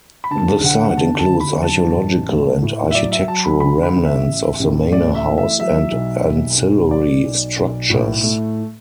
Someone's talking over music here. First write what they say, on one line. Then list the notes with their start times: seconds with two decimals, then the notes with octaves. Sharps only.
The site includes archaeological and architectural remnants of the manor house and ancillary structures.
0.24 B5
0.31 D3 A5
0.64 D2 F#5
0.89 F#5
0.97 D2 A5
1.19 A5
1.30 D3
1.40 B5
1.62 F#3 A5
1.96 A1
2.29 A3
2.62 A2
2.91 E5
2.95 F#3 D5
3.12 E5
3.27 F#3 A5
3.44 B5
3.60 D3 B5
3.83 B5
3.94 D3
4.05 E5
4.28 A1
4.59 A1
4.92 A3 D5
5.15 E5
5.26 E3
5.38 E5
5.59 F#3 E5
5.92 B1
6.25 B1
6.58 B1
6.91 B1 D5
7.24 B1
7.57 B1
7.90 A2
8.24 A3